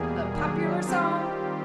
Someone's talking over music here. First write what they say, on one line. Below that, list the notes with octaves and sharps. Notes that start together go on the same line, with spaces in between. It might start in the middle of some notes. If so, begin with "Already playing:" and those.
"A popular song?"
Already playing: E2 B2 G3 A#3 G#4
D#3 F#3 A#3 D4 G#4
D#3 G3 C4 F4 G4